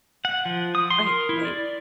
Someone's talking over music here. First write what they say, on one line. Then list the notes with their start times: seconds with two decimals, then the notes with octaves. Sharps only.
Right, right.
0.25 F#5
0.45 F3
0.75 D#6
0.90 C6
1.06 A#4
1.29 E4
1.45 D5